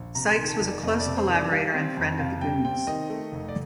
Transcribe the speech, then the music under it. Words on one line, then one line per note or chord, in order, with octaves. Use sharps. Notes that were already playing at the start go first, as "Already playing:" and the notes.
Sykes was a close collaborator and friend of the Goons.
Already playing: A#1
C3 A#5
C6
D#3
A5
F1
D5
F2 D#5
D5
C3
C5
D#3
D5
G3 F5
C4
F2
C3 F5
G3 G5
C4 G5
D#3 D#5
A3
F1
D5